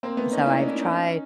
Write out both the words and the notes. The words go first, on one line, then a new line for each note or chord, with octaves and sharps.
so I've tried
A#3 C4
A3 B3
C#4 D#4
D4 E4
C#4 D#4
D4 E4
C#4 D#4